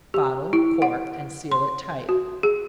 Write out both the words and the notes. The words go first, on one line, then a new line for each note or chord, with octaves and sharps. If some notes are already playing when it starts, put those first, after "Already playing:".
Bottle, cork, and seal it tight.
G4
E4
F#5
C6
F#4
G#4